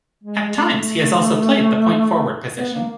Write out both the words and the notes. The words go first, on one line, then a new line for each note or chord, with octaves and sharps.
At times he has also played the point forward position.
G#3
G#3
A3
B3
A#3